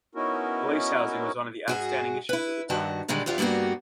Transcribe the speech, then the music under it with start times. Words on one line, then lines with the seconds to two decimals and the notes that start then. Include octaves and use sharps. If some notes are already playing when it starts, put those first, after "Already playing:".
Police housing was one of the outstanding issues of the time.
0.15 B3 C#4 D#4 E4 F#4 A#4
1.68 G#2 F#4 G#4
2.29 E4 B4
2.70 G2 D#3 F#4 A5
3.08 A#2 D3 D#3 G3 G#3
3.26 E2 B3 F4 G4 E5
3.38 G2 G3 A#3 B3 F#4